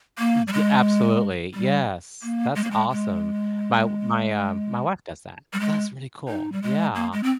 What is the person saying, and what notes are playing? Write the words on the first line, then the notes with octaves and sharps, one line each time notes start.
Ye absolutely. Yes, that's awesome. My my, uh my wife does that, so that's really cool, yeah.
A#3
G3
G#3
G3
A#3
G#3
A#3
G#3
G#3
G3
G#3
D#4
G3
G#3
A#3
G#3
C4